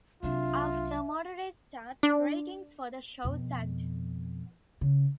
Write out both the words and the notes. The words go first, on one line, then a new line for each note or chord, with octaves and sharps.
After a moderate start, ratings for the show sagged.
C2 F#3 D4 F4 E5
D4
F2 B2
C#3